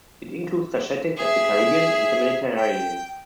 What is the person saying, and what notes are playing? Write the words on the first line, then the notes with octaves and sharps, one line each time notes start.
It includes such settings as the Caribbean and the Mediterranean.
G#4 E5
G5